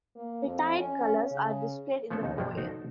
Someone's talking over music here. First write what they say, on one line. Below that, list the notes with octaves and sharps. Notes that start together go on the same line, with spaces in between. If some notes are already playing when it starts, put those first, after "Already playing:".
Retired Colours are displayed in the foyer.
A#3
F2
C#4
C#3
F3 A3 B3 C#4 D4 A4
D#2 D#4
B1 G2 F3 F#3 A#3 D4
D#4 F#4 A4 C5 D5